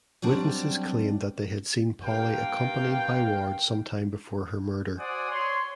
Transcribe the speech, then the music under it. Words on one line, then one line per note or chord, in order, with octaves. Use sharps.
Witnesses claimed that they had seen Polly accompanied by Ward sometime before her murder.
F#3 G3 C4 D4
G2 A#3 F5 G5
F#4 C5 D5 F#5 G#5 D#6
C#5 C6